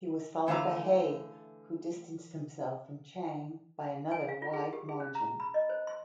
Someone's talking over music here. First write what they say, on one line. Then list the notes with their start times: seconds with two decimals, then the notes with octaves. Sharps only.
He was followed by Hei who distanced himself from Chang by another wide margin.
0.47 D3 E3 A3 F5 A#5
4.11 G#5
4.29 F5
4.42 F4
4.53 G#4
4.73 G4
4.89 G#4
5.00 C#4
5.15 A#5
5.40 B5
5.54 D#5
5.69 C5
5.87 C6